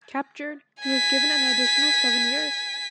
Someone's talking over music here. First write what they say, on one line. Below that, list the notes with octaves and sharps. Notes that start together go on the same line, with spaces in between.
Captured, he was given an additional seven years.
G#5 B6